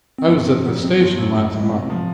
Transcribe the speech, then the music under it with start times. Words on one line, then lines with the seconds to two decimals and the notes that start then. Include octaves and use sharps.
I was at the station last month.
0.18 C4
0.29 G1 B3
0.47 F2 C4
0.65 F1 B3
0.82 F2 C4
1.00 G1 B3
1.18 F#2 A#3
1.35 G#2 A3
1.54 E3 G#3
1.72 C3
1.90 F3